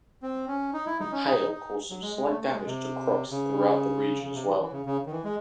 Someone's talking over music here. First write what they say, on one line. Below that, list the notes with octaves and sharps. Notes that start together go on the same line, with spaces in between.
Hail caused some slight damage to crops throughout the region as well.
C4
C#4
D#4
E4
D#4
C#4
D#4
D#4
F#3
G#3
G#3
A3
A3
G#3
C3
C#3
C#3
C3
E3
E3
C#3
C#3
D#3
E3
G#3